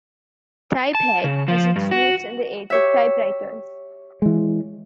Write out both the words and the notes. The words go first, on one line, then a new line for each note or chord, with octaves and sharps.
Typeahead has its roots in the age of typewriters.
A5
C#3
F3
G2
F#4
G4 C#5 E5
E3 G#3